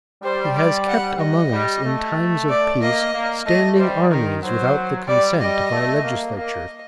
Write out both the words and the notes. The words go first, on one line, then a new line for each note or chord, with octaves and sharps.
He has kept among us, in times of peace, Standing Armies without the Consent of our legislatures.
G3 C5
D5
F#5
D#5
G3
A3
D5
A#3 D#5
A#3
A3 D#5
G3 C5
D#3 A#4
F#3 C5
G3 D5
G3 D#5
A3
A#3
A#3 D#5